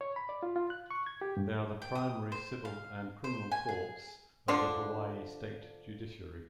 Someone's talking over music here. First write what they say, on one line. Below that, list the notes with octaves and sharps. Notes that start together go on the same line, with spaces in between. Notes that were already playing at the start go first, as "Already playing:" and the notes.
They are the primary civil and criminal courts of the Hawaii State Judiciary.
C#5
B5
D5
F4
F4
F#6
C#6
G#6
G4
G2
G5
D#6
C5
F5
C5
G#5
G#4
D3 F3 D4